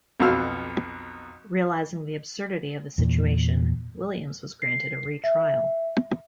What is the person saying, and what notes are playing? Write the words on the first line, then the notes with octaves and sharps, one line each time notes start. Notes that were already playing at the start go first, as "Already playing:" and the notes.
Realising the absurdity of the situation, Williams was granted a retrial.
B1 F2 B2 F5 E6 F6
E2 A#2
C7
E5